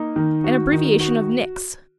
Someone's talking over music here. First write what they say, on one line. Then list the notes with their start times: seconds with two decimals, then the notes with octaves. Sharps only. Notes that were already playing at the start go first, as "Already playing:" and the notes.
An abbreviation of Nix.
Already playing: A#3 D#4
0.16 D#3
0.44 F#4
0.72 D#3
1.00 F#4